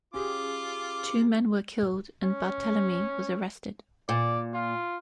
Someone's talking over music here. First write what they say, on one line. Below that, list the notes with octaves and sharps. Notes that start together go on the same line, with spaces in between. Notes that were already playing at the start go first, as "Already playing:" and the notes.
Two men were killed, and Barthelemy was arrested.
C#4 F4 G4 G#4 D6
C#4
A#2 D5
F4